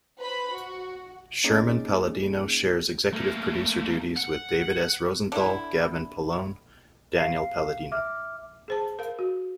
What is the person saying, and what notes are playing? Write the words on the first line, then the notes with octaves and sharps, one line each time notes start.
Sherman-Palladino shares executive producer duties with David S Rosenthal, Gavin Polone, Daniel Palladino.
B4 C5 B5
F#4
A#3 C#4 D#4 G#4 D6 A6
A3 A#3
F#5
D3 E4
F5 C7
E5 D6 F6
G#4 C5 A5
A#4 F5
F#4